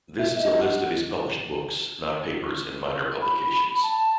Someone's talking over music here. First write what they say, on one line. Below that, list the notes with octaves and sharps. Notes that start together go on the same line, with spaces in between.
This is a list of his published books, not papers and minor publications.
E5
D#5
F#5
B5
A5